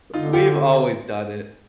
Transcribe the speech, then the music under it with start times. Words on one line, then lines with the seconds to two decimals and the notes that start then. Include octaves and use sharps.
we've always done it.
0.14 D3 D#4 F4
0.33 F4 G4